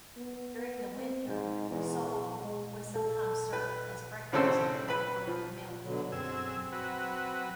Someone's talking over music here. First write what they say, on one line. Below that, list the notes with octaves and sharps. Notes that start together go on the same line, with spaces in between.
During the winter "soll" was sometimes served as breakfast with warmed milk.
B3
B3
C4
G#2
E2
G#4
G#3
A4
B4
A1 C#3 C4 A4 C5 E6
B4 B5
F3
B2 D3 F#3
F#2 C4 G#4 E6
F#3 F#4 B4